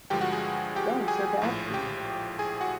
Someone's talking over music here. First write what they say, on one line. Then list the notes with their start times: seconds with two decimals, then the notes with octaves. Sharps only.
Drugs are bad for you.
0.10 G2 D3 F3 G#3 G4 G5
0.21 F#4 F#5
0.32 G#4 G#5
0.76 G4 G5
1.08 G#4 G#5
1.42 A#1 A2 F3
1.73 G4 G5
2.39 G#4 G#5
2.61 F#4 F#5